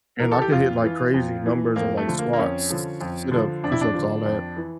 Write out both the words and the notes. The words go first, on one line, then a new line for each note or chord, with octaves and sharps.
and I could hit, like, crazy numbers of, like, squats, s sit-ups, push-ups, all that,
E3 A#4
A4
G4
F2 F4
E3
F2
E3
F2 A#3
A3
D3 F3
A#3
A#3
F2 C#4
D3 F3
F2
D3 F3
F2 D4
E4
D4
D3 F3
F2
E3